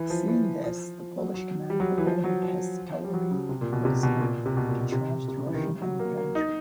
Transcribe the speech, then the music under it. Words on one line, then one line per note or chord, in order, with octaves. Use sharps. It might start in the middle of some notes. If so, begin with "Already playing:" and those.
Seeing this, the Polish commander ordered his cavalry reserve to charge the Russian infantry.
Already playing: E3
F3
E3
F3
F3
F#3
F#3
G3
F#3
E3
F3
F#3
F3
G3
F#3
C#3
C3
A#2
B2
C3
B2
A#2
C3
B2
A#2
B2
C3
C3
C#3
E3
D#3
G3
F#3
A#3
A#3
D#4